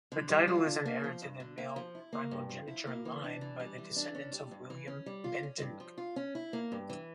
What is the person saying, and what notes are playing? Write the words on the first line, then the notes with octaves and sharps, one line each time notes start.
The title is inherited in male primogeniture line by the descendants of William Bentinck.
D3
G3
F4
D4
A#3
F3
G2
D3
A#3
F3
E4
A#3
G2
F3
E4
A#3
E3
D4
E3
G3
E3
D4
C#4
G3
G2
E3
C#4
G3
F4
C#4
G2
F3
F4
C#4
E4
A#3
G2
E3